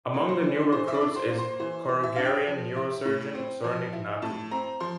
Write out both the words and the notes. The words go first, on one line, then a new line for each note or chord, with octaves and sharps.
Among the new recruits is Korugarian neurosurgeon Soranik Natu.
A#3
C5
E3
E3 C5
E5
D5
D4
C5
A#3
C5
E3 C5
E3
E5
D4 F5
G5
F3
E4
A2
C4
F3
E4
A2 A5
C4 A#5
F3 C6